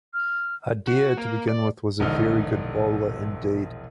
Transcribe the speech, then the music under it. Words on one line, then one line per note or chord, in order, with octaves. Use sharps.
Adair, to begin with, was a very good bowler indeed.
F6
F#4
A#3
D5
E1 A#1 D3 D#4 F6